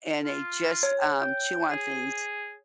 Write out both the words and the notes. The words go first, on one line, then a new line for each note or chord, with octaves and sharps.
and they just, um, chew on things,
F4
C#5
G5
G#4